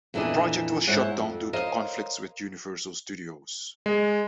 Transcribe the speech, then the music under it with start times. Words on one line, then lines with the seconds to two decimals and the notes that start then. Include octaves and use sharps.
The project was shut down due to conflicts with Universal Studios.
0.14 F2 A#2 E3 B3 D4 D#5
0.87 G#2 E4 C5 C#5 F#5
1.19 F2
1.53 A#4 C5 C#5 D#5 F5
3.86 G#3